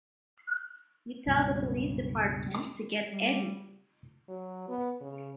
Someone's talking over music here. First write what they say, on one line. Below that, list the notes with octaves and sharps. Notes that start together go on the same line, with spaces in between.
You tell the police department to get Eddie.
C#2 G2 B2
G3
F#3
B3
C#3